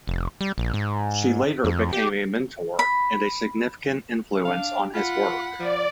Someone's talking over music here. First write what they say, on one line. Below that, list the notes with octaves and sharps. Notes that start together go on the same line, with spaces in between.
She later became a mentor and a significant influence on his work.
F1
G3
A#1
G#2
F2
G4
B5
D4 F5
F4 F#5 B5
F3 D5